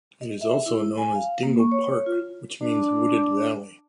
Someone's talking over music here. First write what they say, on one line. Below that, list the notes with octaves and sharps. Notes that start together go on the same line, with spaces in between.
It is also known as Dingle Park which means wooded valley.
D#5
E5
E4
G#5
F5
A#3
C#6
C#5
F4
D4